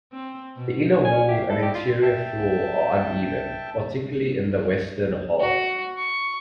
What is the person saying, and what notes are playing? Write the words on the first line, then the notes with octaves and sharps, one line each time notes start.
The inner walls and interior floor are uneven, particularly in the western half.
C4
B2
C#4 G#5
G4 E5 F5
D#4 E4 A4 D5
G4
F4
E5 G5 A5
F#4
C#6